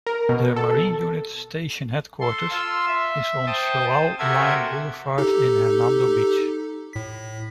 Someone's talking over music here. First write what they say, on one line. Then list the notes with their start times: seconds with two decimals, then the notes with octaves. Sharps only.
Their Marine Unit Station headquarters is on Shoal Line Boulevard in Hernando Beach.
0.07 A#4
0.29 B2
0.56 A4
2.21 A4 C6
2.51 F4 C6 E6
2.88 E5
3.47 C5 G5 A5 D#6
3.89 C5
4.19 C3 F#4 A4 A#4 E5 G#6
5.18 D#4 G4 A4
6.93 A2 B6